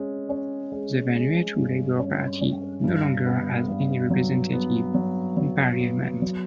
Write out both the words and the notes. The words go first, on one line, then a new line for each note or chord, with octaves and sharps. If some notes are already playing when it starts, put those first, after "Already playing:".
The Vanuatu Labor Party no longer has any representatives in Parliament.
Already playing: G#3 C#4
C#4
G#3
G#3
G2
C#4
C#4
G2
B3
G2
F#3
B3
F#3
F#3
B3
F#3